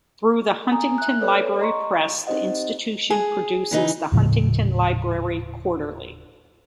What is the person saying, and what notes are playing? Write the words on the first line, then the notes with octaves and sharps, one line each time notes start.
Through the Huntington Library Press, the institution produces the Huntington Library Quarterly.
G#5 A#5 D#6
E5 F#6
A4 B4 C#5 D5
D#5 A#5 C6 C#6
C4 D#4 G4 C5 D#5 F#5
G#4
C#3 E3 D#4
D#1 A2 C#3 F3